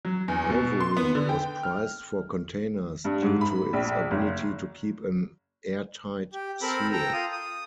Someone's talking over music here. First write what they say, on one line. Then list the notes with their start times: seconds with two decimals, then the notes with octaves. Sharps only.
Ivory was prized for containers due to its ability to keep an airtight seal.
0.05 F#3
0.28 E2
0.50 B2
0.80 C6
0.97 B3
1.15 D3
1.29 G5
1.63 F6
3.05 G2
3.22 G#2
3.41 B5
3.73 A#1
4.11 F#1
6.33 G4
6.62 C4 A4 A#4 B5
6.92 A4 G5 A#5
7.13 F4 D#6
7.32 D#6